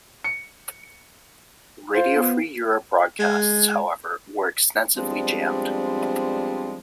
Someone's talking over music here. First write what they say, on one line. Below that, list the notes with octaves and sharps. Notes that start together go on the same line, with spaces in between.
Radio Free Europe broadcasts, however, were extensively jammed.
C#7
F4 C5
B3
G#3
F3 G3 G#3 B3 C4 D4